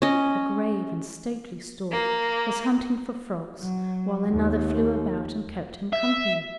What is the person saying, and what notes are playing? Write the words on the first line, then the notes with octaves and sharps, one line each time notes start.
A grave and stately stork was hunting for frogs, while another flew about and kept him company.
C#4 D#5
A#3
F#3
D#2
E5